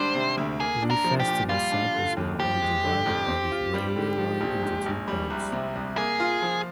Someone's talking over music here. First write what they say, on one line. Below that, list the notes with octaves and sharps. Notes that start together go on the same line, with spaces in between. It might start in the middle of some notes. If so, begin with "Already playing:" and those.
The festival site was now on divided by the railway line into two parts.
Already playing: G#1 G3 D4 C5
C3
D2
A#3 G#4
D4
A#4
F3
G4
A#2
G3 F4
D4
D3
D#2
F3 G4
G#3
D3
F2
C4
F4
G3
D3
F3
A#1
G#2
A#1
G3
C2
C3
C2
A#3 G#4
F4
F3